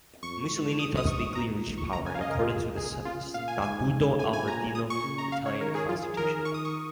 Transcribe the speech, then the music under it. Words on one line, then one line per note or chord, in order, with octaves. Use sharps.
Mussolini thus legally reached power, in accordance with the Statuto Albertino, the Italian Constitution.
F2 C#6
G#2
F2 D#6
D#6
G#2 C#6
A#2 A#5
C#6
C#3 A#5
G#5
F5
C#3 D#5
A#4
F4
G#4
G#4
C#3 F4
A#2 F5
G#5
G#2 G#5
A#2 G#5
G#5
A#5
D#6
C#6
C#3 C#6
A#5
F5
C#5
D#3 A#4
G#4
F3 F4
G#4
D#3 A#4
C#6
D#6
C#6